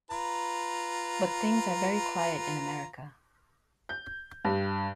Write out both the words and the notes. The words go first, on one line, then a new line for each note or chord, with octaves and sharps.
But things are very quiet in America.
F4 B4 A#5
G6
G2